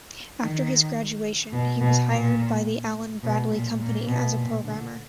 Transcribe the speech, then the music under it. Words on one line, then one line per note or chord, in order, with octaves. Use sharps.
After his graduation, he was hired by the Allen-Bradley company as a programmer.
D#3
B2
B2
A#2
B2
A#2
A#2
B2
A#2
D3